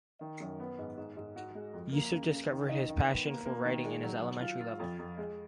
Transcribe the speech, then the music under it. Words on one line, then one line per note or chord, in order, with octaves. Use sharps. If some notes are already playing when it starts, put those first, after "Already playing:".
Yusuf discovered his passion for writing in his elementary level.
D#3
F#2
B3
G#2
G#2
G#2
F#4
G#3
F2
A#3
C#3
C#3
D#3
D#4
D#3
B3
A#3
A#3
D#3
G#3
F#3
F#3
F4
F4
F2
F2
G#3